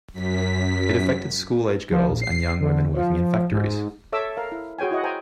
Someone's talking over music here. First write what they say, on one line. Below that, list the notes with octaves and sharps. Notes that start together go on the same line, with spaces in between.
It affected school-age girls and young women working in factories.
F#2 B6
F3
A#1
C7
D3
F3
G#2
A4 C#5 E5 D6 E6
A#4 F5
E4
F#4 G#4 C#5 G5 G#5
E4 F#4 D#5 F#5
C5 G5 G#5 A#5